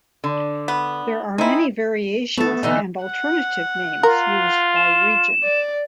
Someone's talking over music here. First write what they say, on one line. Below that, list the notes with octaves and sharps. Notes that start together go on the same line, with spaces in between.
There are many variations and alternative names used by region.
D3
B3
G#3 C4 D#4 E4
A3 B3 A4
D3 E3 D#4
F#5
F4 A#4
E7
D5